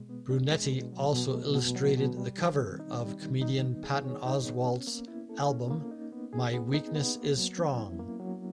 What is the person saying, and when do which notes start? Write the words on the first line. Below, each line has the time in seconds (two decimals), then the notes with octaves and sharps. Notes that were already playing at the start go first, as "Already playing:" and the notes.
Brunetti also illustrated the cover of comedian Patton Oswalt's album, "My Weakness Is Strong".
Already playing: B2 G#3
0.09 B3
0.31 D4
0.51 G#3
0.72 B2
0.93 F#3
1.13 B2
1.35 A3
1.55 B2
1.76 F#3
1.97 B2
2.17 G3
2.38 D#3
2.59 C4
2.80 D#4
3.00 G3
3.22 D#3
3.42 D#4
3.63 B3
3.84 G#4
4.05 C#5
4.25 D#4
4.46 B3
4.67 C#4
4.87 A#3
5.08 E4
5.29 A4
5.49 C#4
5.71 A#3
5.91 D#4
6.12 B3
6.33 G#4
6.53 B3
6.74 D#4
6.96 B3
7.16 A#3
7.37 F#3
7.57 C#4
7.79 E4
7.99 A#3
8.20 F#3